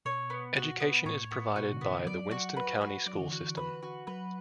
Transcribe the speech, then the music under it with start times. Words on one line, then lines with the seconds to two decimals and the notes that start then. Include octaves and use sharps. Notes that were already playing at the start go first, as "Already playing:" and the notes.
Education is provided by the Winston County School System.
0.05 B2 C#5
0.30 B3
0.56 F#4
0.80 B3
1.05 A2 C#5
1.31 B3
1.56 B2 F#4
1.72 D3
1.81 B3
1.89 E3
2.06 F#3 D5
2.31 F#4
2.57 B4
2.81 F#4
3.06 F#3 D5
3.14 E3
3.21 D3
3.29 E3 F#4
3.57 B4
3.83 F#4
4.07 F#3 B4